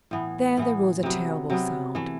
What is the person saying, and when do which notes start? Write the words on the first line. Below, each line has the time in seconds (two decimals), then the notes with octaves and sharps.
Then there rose a terrible sound.
0.11 A2 E3 B3
0.57 A2 E3 B3
1.03 C3 F#3 B3
1.50 C3 F#3 B3
1.95 E3 A3